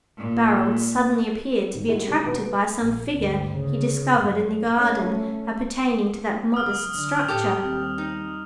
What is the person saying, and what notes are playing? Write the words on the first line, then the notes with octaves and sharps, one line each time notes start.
Barold suddenly appeared to be attracted by some figure he discovered in the garden appertaining to that modest structure.
A#2
G#1
G3 G#3 A#3 E4 F#4 G#4
C#3 G#3 C#4 G4 G#4
D#2 B2 D4 F#4 B4 D7
B3
A#1
D2 G2
C#3
F#2
A3 C#4
F#1 D#6 F6
D3
A2 G4 A4 D#6 F7
D#2 G3 C4
D#4